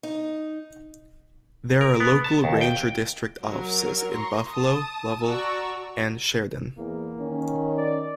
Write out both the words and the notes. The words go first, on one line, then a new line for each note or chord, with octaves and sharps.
There are local ranger district offices in Buffalo, Lovell, and Sheridan.
D#4
A#4
B3
A5
D#2
G5
F#3 A#4
A#5 C6 C#6
A5 D#6
F#4 D5 A5 A#5 C#6 E6
E2 A#3
D#3 C#4
D5